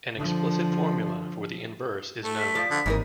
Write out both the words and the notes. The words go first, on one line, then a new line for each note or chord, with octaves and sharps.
An explicit formula for the inverse is known.
D3 F3
A3
B6
F3 D5
D3
G#1 D#2 E3 D#4 A#4